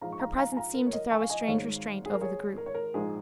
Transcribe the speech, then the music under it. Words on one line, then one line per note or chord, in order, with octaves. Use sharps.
Her presence seemed to throw a strange restraint over the group.
A#1 G#2 G#3 F5 A#5
C#6
F5 A#5
F5 A#5
G#5
F5 A#5
A#4
C#5
A#4 D#5
G#5 C#6
F5
D#5 G#5
D#5
G#1 G#2 G#3 C#5 F5
G#4
A#4
G#4 C#5
A#4
C#5
A#4
A#1 G#2 G#3 G#4